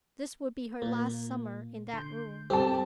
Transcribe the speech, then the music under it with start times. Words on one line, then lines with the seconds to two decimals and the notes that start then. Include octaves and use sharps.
This would be her last summer in that room.
0.82 A#2 A#3
1.93 D3 C6 G6
2.50 G3 C4 G4 A4 A5